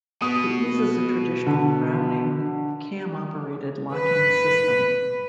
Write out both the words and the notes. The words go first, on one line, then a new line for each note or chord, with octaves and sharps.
It uses a traditional Browning cam-operated locking system.
B2 B3 D#6
D3
B4